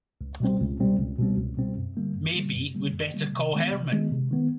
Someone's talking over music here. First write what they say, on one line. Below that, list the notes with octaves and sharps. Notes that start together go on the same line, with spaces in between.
Maybe we'd better call Herman.
C#2
B2 G3 C4
C#2
B2 G3 C4
C#2
B2 G3 C4
C#2
B2 G3 C4
F#2
D3 G3 A#3
F#2
D3 G3 A#3
F#2
D3 G3 A#3
F#2
D3 G3 A#3
C3
D#3 G#3 B3
C3
D#3 G#3 B3
C3
D#3 G#3 B3